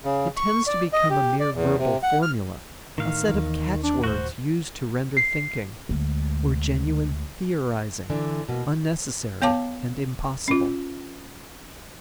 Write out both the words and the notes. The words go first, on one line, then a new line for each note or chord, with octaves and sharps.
It tends to become a mere verbal formula, a set of catchwords used to render thinking, or genuine theorizing, unnecessary and impossible.
C#3
C#6
D5
D#5
G4
D5
E2
C3
F#5
F6
A2 D#3 F5 F6
D#2 E3
D4
D#1 A3 F#4 C5
C7
D2 G#3
D3 E3 D4
B2 A#3
B3 C#5 F5 A5 D6
C#4 F4